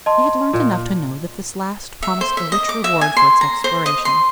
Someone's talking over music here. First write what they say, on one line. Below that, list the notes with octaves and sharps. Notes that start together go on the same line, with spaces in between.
He had learnt enough to know that this last promised a rich reward for its exploration.
D#5 A5 C6
A#2
E5
C5
E5
D#5
D6
E5
G#5
C6
A#5
C5
D#5
C6